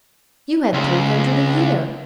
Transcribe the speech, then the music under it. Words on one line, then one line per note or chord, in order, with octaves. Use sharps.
You had three hundred a year.'
C#2